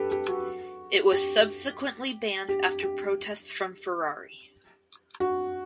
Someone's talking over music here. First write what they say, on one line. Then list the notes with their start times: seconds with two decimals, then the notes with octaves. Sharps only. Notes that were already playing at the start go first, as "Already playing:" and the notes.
It was subsequently banned after protests from Ferrari.
Already playing: G4 A4 B4
0.12 G4
0.28 F#4
1.12 G4
2.49 G4
2.83 G4
5.20 F#4